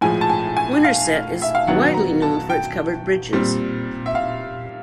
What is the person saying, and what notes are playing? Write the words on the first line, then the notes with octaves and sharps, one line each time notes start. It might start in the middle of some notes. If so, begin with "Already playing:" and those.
Winterset is widely known for its covered bridges.
A2 F3 G#3 G#5
A5
G#5
G#5
F5
E5
F5
D#3 F#3 B3 D4 F#5
A#5
A5
G5
A#2 G3 C4
E5
F5